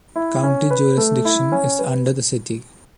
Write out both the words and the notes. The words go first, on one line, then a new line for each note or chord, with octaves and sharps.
County jurisdiction is under the city.
E4
C#4
B4
A3
E4
C#4
B4